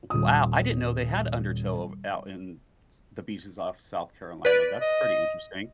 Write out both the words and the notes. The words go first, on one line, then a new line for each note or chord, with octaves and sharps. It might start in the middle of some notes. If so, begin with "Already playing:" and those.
wow. I didn't know they had undertow ov out in s the beaches off South Carolina. That's pretty interesting.
D#1 D#6
B4 D5
D#5